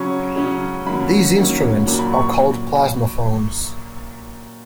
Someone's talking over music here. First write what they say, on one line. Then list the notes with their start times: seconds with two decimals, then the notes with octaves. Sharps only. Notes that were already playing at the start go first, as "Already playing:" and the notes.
These instruments are called plasmaphones.
Already playing: C#3 F#3 C#4 C#6
0.36 C#3 F#3 C#4
0.86 D#3 F#3 A#3 C#4 B5
1.37 D#3 F#3 A#3 C#4
1.87 A#2 F#3 A#3 A#5
1.99 B5
2.12 C#6